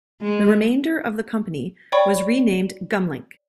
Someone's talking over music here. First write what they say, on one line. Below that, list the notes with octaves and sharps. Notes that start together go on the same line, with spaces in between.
The remainder of the company was renamed Gumlink.
G#3
C#5 D5 G5 B5 C#6